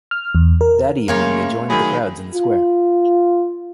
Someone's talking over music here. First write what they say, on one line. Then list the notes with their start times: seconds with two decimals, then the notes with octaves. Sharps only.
That evening, they joined the crowds in the square.
0.11 F6
0.35 E2
0.61 A#4
1.08 C#3 A3 A#3 A#4 C#5 F5 C6
1.70 D#3 F#3 G#4 B5
2.35 F4